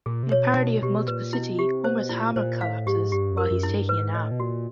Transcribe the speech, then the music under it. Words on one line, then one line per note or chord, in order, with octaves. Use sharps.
In a parody of "Multiplicity", Homer's hammock collapses while he is taking a nap.
A#2 G#4
C3
B2 C#5
A#2
B2 D#4
B2 G4
A#2 B4
B2 E4
C3 G4
B2 C5
A#2 E4
A#2 C5
A2 F5
G#2 G4
G2 G4
F#2
A#4
F#2
E4
G2
G#2 B4
A2 D#5
B2
A#2 F#4